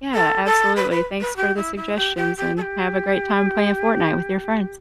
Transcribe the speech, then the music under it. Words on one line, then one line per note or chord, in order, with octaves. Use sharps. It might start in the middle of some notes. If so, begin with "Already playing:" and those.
Yeah, absolutely. Thanks for the suggestions and have a great time playing Fortnite with your friends.
A4
A4
B4
B4
B4
G4
E4
E4
G4
G4
G4
A4
G4